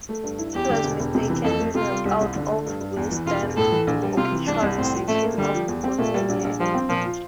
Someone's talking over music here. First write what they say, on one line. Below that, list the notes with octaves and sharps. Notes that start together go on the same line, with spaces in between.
He was mistakenly left out of "Wisden"'s obituary section the following year.
A3
G2
E4
E2 G4
D3
E1
E1
C3
E3
F2 A4
A3
C3 F4
G3
C2
C2
D3
A3
G2
G2
E2
E3
E1 F4
E1
A2 A4
E3
A#1
G3
C3 F4
E3
C2 D4
C2
A2 C4
F3
A1 A3
A#3
D3 G3
F3
E2
C4
A#2 A3
G3
A#1
A#1
F3 G3
C4
A#2 F3
F4